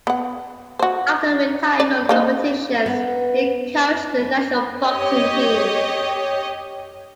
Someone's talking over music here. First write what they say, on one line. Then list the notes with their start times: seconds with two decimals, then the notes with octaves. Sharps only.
After retiring from competitions he coached the national boxing team.
0.07 B3 F#5
0.79 F#4 C5
1.80 D5
2.09 A#3 D#4 C5
2.86 B3
4.84 G4 C#5 D#5